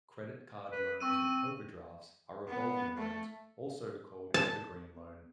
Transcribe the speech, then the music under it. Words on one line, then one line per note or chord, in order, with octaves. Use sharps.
Credit card loans and overdrafts are revolving loans, also called evergreen loan.
B4
C4 C#6 E6 D#7
B3
A3
A5